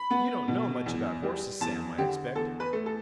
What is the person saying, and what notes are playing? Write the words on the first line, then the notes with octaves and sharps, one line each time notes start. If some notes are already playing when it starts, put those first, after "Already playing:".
You don't know much about horses, Sam, I expect.
Already playing: B5
B3
B2
E2
G3
E2 A5
D3 G4
E2 A4
B4
A3
A4